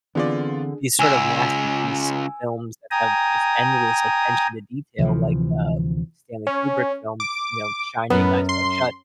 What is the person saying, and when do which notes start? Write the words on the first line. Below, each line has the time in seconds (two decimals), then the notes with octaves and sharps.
these sort of masterpiece films that have just endless attention to detail like, uh, Stanley Kubrick films, you know, The Shining, Eyes Wide Shut,
0.15 D3 E3 B3 C4 D4 F4 G#4 D5
0.99 C#2 G#5 E6
2.91 G5 G#5 A#5 D#6
4.99 D2 C3 E3 F3
6.47 C#4
7.20 D6
8.10 F#2 B3
8.49 C6